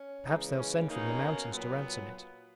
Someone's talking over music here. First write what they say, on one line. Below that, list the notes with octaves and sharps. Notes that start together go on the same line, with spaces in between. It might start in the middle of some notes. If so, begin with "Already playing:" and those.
Perhaps they'll send from the mountains to ransom it.'
Already playing: C#4
C#3 E3 G#3 D#4
C#4
B2 A#3 C#4 D#4
A#2 F#3 B3